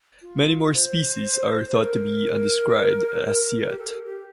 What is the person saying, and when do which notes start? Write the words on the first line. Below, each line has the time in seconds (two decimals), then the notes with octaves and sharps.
Many more species are thought to be undescribed as yet.
0.22 F4
0.74 C5
1.73 A4
1.78 A#4
3.69 G4
3.79 A4
3.88 A#4
4.05 G4